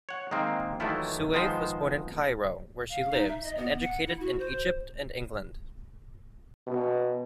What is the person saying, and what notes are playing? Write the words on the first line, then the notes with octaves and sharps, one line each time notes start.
Soueif was born in Cairo, where she lives, and educated in Egypt and England.
C#5 F#5
D#3 G#3 A#3 C4
D#3 E3 F#3 A3 E4 F4
D#3 F3 G#3 B3 C5
F5
D#4
E5
D#5
B3
F#5
E4
F#4
C5
B2